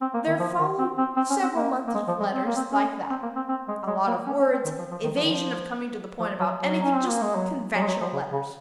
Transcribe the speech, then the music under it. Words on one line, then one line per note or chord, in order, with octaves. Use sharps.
There followed several months of letters like that: a lot of words, evasion of coming to the point about anything; just conventional letters.
C4
A#3
D#3
F3
D#3
C4
C4
C4
C#4
C4
A#3
A#3
G#3
F3
G#3
C4
A#3
C4
C#4
C4
A#3
C4
C4
G#3
G#3
A#3
C#4
C#4
C4
D#3
F3
F3
D#3
F3
D#3
F3
F3
F#3
F#3
C#4
C4
A#3
G#3
F#3
F#3
G#3
F#3
F3
C#3
C#3